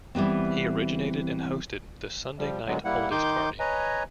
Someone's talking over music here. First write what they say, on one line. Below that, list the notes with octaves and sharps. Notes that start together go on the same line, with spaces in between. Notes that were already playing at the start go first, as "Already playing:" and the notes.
He originated and hosted "The Sunday Night Oldies Party".
E3 G3 B3 C4
F3 G3
A#2 D3 F#3 G#3 B3
G3 A#3 E4 F#5
D#3 D#4 C6 D6 G6
B4 C#5 D#5 G#5 A#5